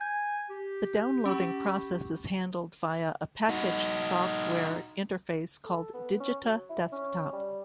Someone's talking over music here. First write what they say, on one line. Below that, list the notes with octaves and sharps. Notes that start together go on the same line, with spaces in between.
The downloading process is handled via a packaged software interface called 'Digita Desktop'.
G#5 G6
G4
C#4 B5 C#6
D#4 F#4
A4
B3
C#4
F#3
E4
C#4
G3